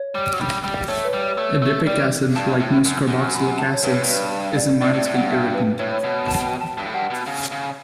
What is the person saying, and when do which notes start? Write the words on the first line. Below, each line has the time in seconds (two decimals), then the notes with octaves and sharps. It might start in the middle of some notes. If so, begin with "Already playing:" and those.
Adipic acid, like most carboxylic acids, is a mild skin irritant.
Already playing: C#5
0.15 G3
0.33 F#3
0.40 G3
0.64 G3
0.88 A3 C#5
1.04 B4
1.13 G3
1.21 C#5
1.38 A3 C#5
1.62 A3
1.87 G3 D5
2.36 G2 A5
2.60 A2
2.85 F#2
3.08 F#2
3.34 B5
3.58 A5
3.74 C#5
3.83 G2 B4
3.94 A2
4.03 G2 B4
4.56 D5
4.81 A2 D5
4.94 A2
4.98 D5
5.06 A2
5.13 G2 F#5
5.31 E5
5.54 B4
5.79 A2 C#5
5.91 C#5
6.04 B2 C#5
6.28 A5
6.45 G5
6.61 A5
6.78 G2 A5
6.86 A2 G5
6.94 G2 F#5
7.10 B2
7.27 C#3
7.52 C#3